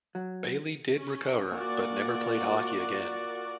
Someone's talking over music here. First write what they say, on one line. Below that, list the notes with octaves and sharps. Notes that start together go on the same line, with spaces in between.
Bailey did recover, but never played hockey again.
F#3
C#4
A#2 F#4 A#4 D5